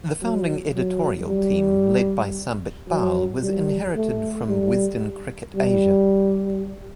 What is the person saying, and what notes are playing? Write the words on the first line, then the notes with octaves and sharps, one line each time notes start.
The founding editorial team, led by Sambit Bal, was inherited from "Wisden Cricket Asia".
F#3
F#3
G3
F#3
G3
A3
G3
G3